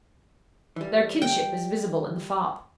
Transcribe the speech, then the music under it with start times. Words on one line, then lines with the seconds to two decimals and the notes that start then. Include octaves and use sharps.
Their kinship is visible in the fop.
0.76 E3 G3
1.22 G5